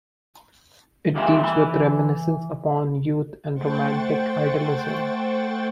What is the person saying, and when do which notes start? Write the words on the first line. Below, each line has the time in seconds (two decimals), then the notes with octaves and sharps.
It deals with reminiscence upon youth and romantic idealism.
1.15 C#3 E3 G3 A#3 E5
1.43 E3 B5
3.53 A3 C5 F#5 G5 C#6 A6